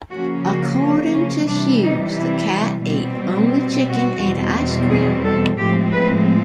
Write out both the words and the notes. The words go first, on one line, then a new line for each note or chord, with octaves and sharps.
According to Hughes, the cat ate only chicken and ice cream.
C#3 F3 A#3 C#4 F#4
F#4
C#4
C#4
C3 E3 G3 D4
D#4
E4
B2 G3 C4
F#4
E2 B2 G3 C4
G#4
A4
A2 F3 G#3 C4 G4
B4